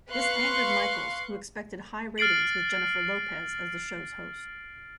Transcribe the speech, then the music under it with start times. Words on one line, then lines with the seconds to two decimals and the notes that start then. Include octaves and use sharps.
This angered Michaels, who expected high ratings with Jennifer Lopez as the show's host.
0.11 B4 F5 C6 C#6 F#6
2.18 F6 A6 C7 D7 F#7